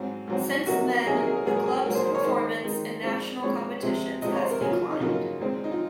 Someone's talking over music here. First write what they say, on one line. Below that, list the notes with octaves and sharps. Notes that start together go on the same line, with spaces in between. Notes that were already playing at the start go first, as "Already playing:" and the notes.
Since then the club's performance in national competitions has declined.
Already playing: G#2 F#3 C4
G#2 F#3 C4
C3 F#3 A#3 D#4 F#4
C3 F#3 A#3 D#4 G#4
A#4
G#4
A#4
G#2 F#3 A#3 G#4
A#4
G#4
G#2 F#3 A#3 A#4
C5
C5
C#5
D#3 G#3 D#4 C5
D#3 G#3 D#4
A#2 G#3 C4
A#2 G#3 C4 C#5
C3 F3 G#3 C4
C3 F3 G#3 C4 D#5
C#5
C5
A#4
C#3 F#3 A#3 G#4
F4
D#4
C#3 F#3 A#3 F4
A#2 G#3 C4
D#4
F4